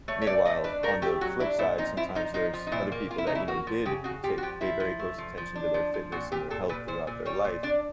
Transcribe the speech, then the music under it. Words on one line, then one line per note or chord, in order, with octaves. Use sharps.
Meanwhile, on the flip side, sometimes there's other people that, you know, did ta pay very close attention to their fitness and their health throughout their life,
A3 C#5
C#5
A3 D5
A3 D#5
D4 B4
A3 A#4
A3 G4
F#3 F#4
D4 E4
A#2 E4
F3 D#4
F3 E4
F3 D#4
F3 D#4
F3
D#4
A#2 E4
A#3
A#3 F4
E4
C#3 D#4
E4
A#3 F#4
F3
C#3 G4
C#3 F#4
F3 G4
F#4
F3 G4
F3 E4
F3
A3
F3
F3
D4
F3
F3
A#2 F#4
A#2 G4
A#2 A4
A#2 B4
A#2 C5
A#2
G3 C#5
A#2
D4 D5